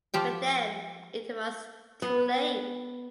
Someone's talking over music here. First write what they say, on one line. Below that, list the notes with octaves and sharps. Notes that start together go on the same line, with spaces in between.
But then it was too late.
F3 G4 G5
B3